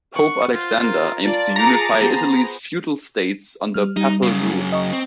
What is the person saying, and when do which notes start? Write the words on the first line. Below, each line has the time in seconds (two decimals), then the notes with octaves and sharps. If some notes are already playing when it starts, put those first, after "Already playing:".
Pope Alexander aims to unify Italy's feudal states under papal rule.
0.16 F#5 C#6
0.54 F4 C5
0.83 A#4
1.25 F4 D5 A5
1.56 G#4 A#5 D6 C#7
2.00 B3 G#4 C5
3.74 G3 F6
3.97 G3 D#4
4.23 F#2 C#3
4.72 D#5 A#5 C#6
4.93 C4